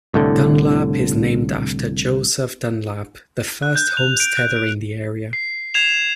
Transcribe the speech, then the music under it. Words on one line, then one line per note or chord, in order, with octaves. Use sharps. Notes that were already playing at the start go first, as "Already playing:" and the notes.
Dunlap is named after Joseph Dunlap, the first homesteader in the area.
C2 A2 D3
F#6
G6
F7
D7
F#6
D7
C7
G#6 C7 E7 F7